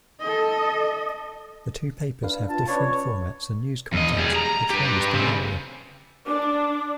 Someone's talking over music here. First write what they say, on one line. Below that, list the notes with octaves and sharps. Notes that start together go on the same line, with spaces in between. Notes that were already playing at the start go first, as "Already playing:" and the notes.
The two papers have different formats and news content which varies by area.
A4 D#5
D4 B4 F5
F4 A5
C#4 B4 C#5 D5
E2 D#5
G3 G#4
A#5
G4 B4
C#3 C4
D4 D6